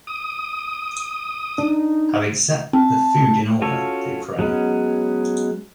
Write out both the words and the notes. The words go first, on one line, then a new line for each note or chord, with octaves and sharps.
Having set the food in order, they pray.
D#6
D4 D#4
C4 A5
C#4 F4 F#4 A4 C#5
F#3 G#3 B3 C#4